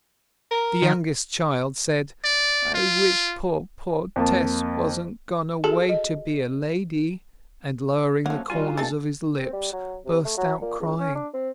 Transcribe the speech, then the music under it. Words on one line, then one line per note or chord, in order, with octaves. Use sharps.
The youngest child said, "I wish poor, poor Tess wasn't gone away to be a lady!" and, lowering the corners of his lips, burst out crying.
A#4
D#3
D5
F4
F2 A#3 A5
F#4 G#4 A4
D#5
F3 F#3 A3 A#3 C#4 F#5
G3 D#4 F4 F#4 G#5
B2 A3 A#3 D4 G#4 A4 A6
C4
G3
F#3
C3
A3
F#3
A#2
C#2
C#4
D4
C4